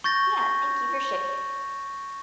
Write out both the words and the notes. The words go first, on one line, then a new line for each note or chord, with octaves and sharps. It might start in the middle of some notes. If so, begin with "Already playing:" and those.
Yeah, thank you for shar
C#6 G6 A6 A#6